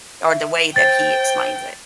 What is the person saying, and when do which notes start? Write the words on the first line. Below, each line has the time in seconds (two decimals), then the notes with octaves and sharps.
or the way that he explains it.
0.24 E5
0.76 C5 G5 A6